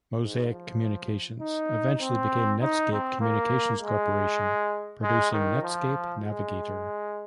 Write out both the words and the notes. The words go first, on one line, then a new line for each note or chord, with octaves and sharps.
Mosaic Communications eventually became Netscape Communications Corporation, producing Netscape Navigator.
G#2
F3
D#4
C4
D#4
C4
A#3
G#3
G#3
D#3
F3
G#3